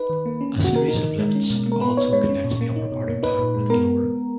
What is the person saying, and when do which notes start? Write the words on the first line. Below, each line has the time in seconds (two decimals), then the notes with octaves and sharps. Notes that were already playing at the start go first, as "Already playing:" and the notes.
A series of lifts also connects the upper part of town with the lower.
Already playing: D#4 B4
0.10 D#3
0.26 A#3
0.41 C#4
0.56 D#3
0.64 F#4
0.72 A#3 A#4
0.88 D#4 A#4
1.04 D#3
1.18 G#3
1.35 C#4
1.50 B2
1.66 A#3
1.72 A#4
1.81 B3 B4
1.97 D#4 C#5
2.13 G#3 C#5
2.29 C#4
2.44 A#2
2.61 A#3
2.76 D#4
2.92 B2
3.07 A#3
3.23 D#4 B4
3.39 A#2
3.54 G#3
3.70 B3 A#4